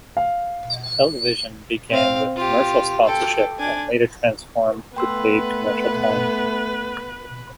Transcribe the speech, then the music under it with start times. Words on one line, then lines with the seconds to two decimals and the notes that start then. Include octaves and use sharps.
Television began with commercial sponsorship and later transformed to paid commercial time.
0.17 F5
1.89 C4 F5
2.36 F4 G4
3.05 A4 G5
3.59 D4 G#5
4.96 A3 B3 B4 G5 C6 E6